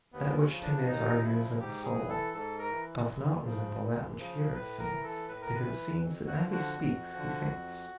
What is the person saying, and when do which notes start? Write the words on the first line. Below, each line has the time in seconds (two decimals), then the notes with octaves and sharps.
That which Timaeus argues of the soul Doth not resemble that which here is seen, Because it seems that as he speaks he thinks.
0.13 D#2 B3
0.38 C#4
0.50 C#3 F3
0.62 D4
0.86 D#2 D#4
1.23 C#3 F3 E4
1.60 G#2 G4
1.84 G#4
1.97 E3
2.09 A4
2.33 G#2 A4
2.59 A#4
2.71 E3
3.08 F#2
3.44 C#3 F3
3.81 F#2
4.18 C#3 F3
4.55 A2 B4
4.79 A#4
4.91 E3
5.04 A4
5.28 A2 B4
5.42 A#4
5.55 B4
5.65 E3
6.02 F2
6.27 F#4
6.39 D3 F3
6.51 F#4
6.76 F2
7.13 D3 F3
7.49 F2